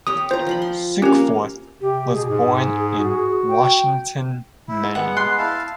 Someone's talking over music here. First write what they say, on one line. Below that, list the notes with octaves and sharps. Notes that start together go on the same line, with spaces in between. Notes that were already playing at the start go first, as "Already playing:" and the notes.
Sukeforth was born in Washington, Maine.
G4 C#5 G5 D#6
F4 C5 A#5
F3 F4 B5
C6
A#3 C#4 G4 F5
C3 G4
B2 G#4
G#2 G#4
F#4
G5
E4
G#3 B3 F#5
C6 F#6
E4 F5 A5